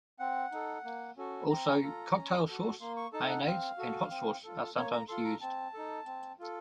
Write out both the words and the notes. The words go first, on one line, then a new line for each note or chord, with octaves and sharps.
Also, Cocktail sauce, mayonnaise and hot sauce are sometimes used.
C4 F#5
D#4 A4
A#3
C#4 F#4 A4
C4 A#5
F4 A4
C#4
F#4 A4
A#3 C6
C#6
D#4 A4 A5
F#5
C4 F5
F#4 A4
C4
F4 A4
A#3 C#5
A#5
F4 A4 C6
A#5
C4 A5
D#4 A4
C4
F4 A4